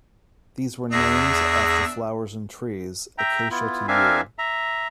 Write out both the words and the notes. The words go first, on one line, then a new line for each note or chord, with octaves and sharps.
These were names after flowers and trees, Acacia to Yew.
E2 D4 G#4 E5 A#6
E5 G5 A#5
B3 E4 F4
C4 D4 A#4 E5 F5 G#5
E5 A#5